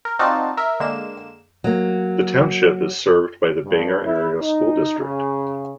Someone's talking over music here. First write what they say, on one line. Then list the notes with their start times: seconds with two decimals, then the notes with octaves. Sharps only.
The township is served by the Bangor Area School District.
0.05 A#4
0.19 C4 D#4 F4 F#4 D5 A5
0.57 A#4 E5
0.80 D3 G#3 A#3 E7
1.64 F#3 A#3
3.64 G2
4.04 E4
4.39 D#4
4.99 C#3